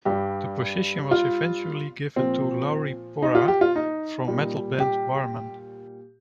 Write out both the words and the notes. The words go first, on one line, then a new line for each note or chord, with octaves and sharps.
The position was eventually given to Lauri Porra from metal band Warmen.
G2 G3 G4
F4
A#2 F3 C4
D#4
F4
G4
F4
D#4
A#2 G3
G4